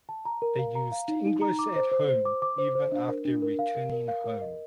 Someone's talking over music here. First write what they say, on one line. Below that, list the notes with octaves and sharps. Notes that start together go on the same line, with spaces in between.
They used English at home even after returning home.
A5
A#5
A#4
F5
A#5
F5
D#4
D#4
A#5
D6
C5
C5
C5
D6
D6
C5
C5
D4
A#4
D4
A#4
F5
A#4
A#4
F5
A#4
D#5